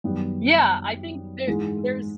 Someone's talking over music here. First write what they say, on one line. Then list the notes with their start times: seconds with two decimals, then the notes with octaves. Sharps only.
yeah, I think there there's
0.04 F#2 D#3 G3 B3
1.47 G#2 E3 G#3